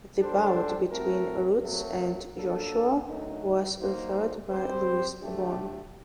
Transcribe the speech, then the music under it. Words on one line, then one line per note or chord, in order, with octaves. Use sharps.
The bout between Ruiz and Joshua was refereed by Luis Pabon.
G3 D4 A4 C5
A2 A3 C4 F#4 A#4
F#3 A3 C4 F#4 A#4
F#3 A#3 D4 A4
D3 F#3 A3 D#4
F#3 A#3 D#4 F#4 C5
G3 C4 G4 C5
D3 A3 D4 G4